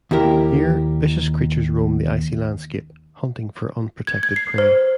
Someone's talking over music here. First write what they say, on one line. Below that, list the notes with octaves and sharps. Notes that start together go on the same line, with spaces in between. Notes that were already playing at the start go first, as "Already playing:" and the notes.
Here, vicious creatures roam the icy landscape, hunting for unprotected prey.
D#2 E4 G4 A#4
G#6
G#6
C7
C5